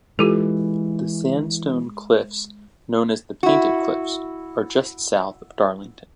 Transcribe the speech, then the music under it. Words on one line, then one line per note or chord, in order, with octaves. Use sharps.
The sandstone cliffs known as the Painted Cliffs are just south of Darlington.
E3 G#3 F4 G4 A4
E4 F#4